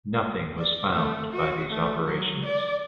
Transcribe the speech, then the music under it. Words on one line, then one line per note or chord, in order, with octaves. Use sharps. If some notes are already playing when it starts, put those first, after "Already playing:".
Nothing was found by these operations.
D5
A3
F#4
A3
F#3
D5